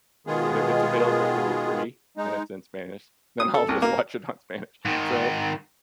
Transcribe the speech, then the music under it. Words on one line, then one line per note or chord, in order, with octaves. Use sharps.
but if it's available to me free and it's in Spanish, then I'll just watch it on Spanish. So
B2 D#3 G#3 B3 F4 G#4
G#3 D#4
D#6
A4
C2
A#3
G#2 D#3